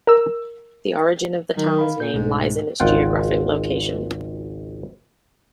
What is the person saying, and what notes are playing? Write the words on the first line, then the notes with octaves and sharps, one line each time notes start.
The origin of the town's name lies in its geographic location.
A#4 E6
D#3 F#3
F5 B5
A#2 G6
C2 G#2 B2 A3
G#1 C#2 F4 F#5 G5